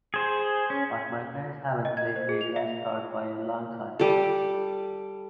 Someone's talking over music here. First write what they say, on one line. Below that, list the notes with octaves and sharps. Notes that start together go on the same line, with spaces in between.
But my friends haven’t played their last card by a long sight.
G#4 C5
C#4
D#5
G#6
C5
G#4
F7
E5
G3 A4